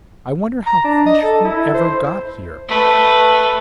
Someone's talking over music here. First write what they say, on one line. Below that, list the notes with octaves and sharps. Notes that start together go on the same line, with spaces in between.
I wonder how fresh fruit ever got here.
A#5
D4
D#5
A4
E4
C5
A3 B4